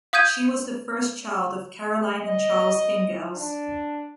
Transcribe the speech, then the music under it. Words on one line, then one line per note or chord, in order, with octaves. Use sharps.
She was the first child of Caroline and Charles Ingalls.
F5 D#6 G6 G#6 D#7
D#5
D4